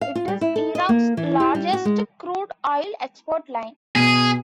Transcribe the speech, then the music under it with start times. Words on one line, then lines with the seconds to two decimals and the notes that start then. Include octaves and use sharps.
It is Iraq's largest crude oil export line.
0.01 F5
0.15 F4
0.28 G3
0.41 E4
0.56 A4
0.75 D#5
0.89 A#3
1.17 E3
1.40 G4
1.55 G3
1.73 F#4
1.85 G#3
3.95 B2 G#4 D#7